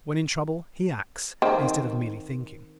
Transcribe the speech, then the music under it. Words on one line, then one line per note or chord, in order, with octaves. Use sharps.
When in trouble he acts, instead of merely thinking.
D#3 C4